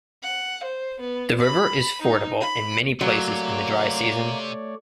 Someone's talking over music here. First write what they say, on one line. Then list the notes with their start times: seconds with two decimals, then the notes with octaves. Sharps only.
The river is fordable in many places in the dry season.
0.23 F#5
0.64 C5
1.01 B3
1.41 B5
2.02 D#4
2.41 B5
3.01 C3 F#3 A3 A#3 C#5 D5